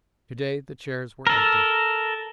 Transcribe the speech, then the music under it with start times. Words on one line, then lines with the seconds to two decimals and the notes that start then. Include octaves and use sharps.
Today the chairs were empty.
1.27 A4 A#4